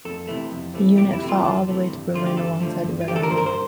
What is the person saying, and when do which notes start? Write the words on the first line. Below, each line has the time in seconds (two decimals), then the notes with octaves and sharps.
The unit fought all the way to Berlin alongside the Red Army.
0.05 F2 A4
0.28 C3 E3 A3
0.51 F2
0.74 C3 E3 A3
0.97 F2 G4
1.13 E4
1.21 C3 E3 A3
1.29 F4
1.44 F2 A4
1.67 C3 E3 A3
1.90 G2
2.14 D3 F3 A3 F4
2.26 G4
2.37 G2 A4
2.60 D3 F3 A3
2.83 G2
3.01 F4
3.08 D3 F3 A3 G4
3.16 A4
3.23 A#4
3.30 G2 C5
3.38 A#4
3.46 C5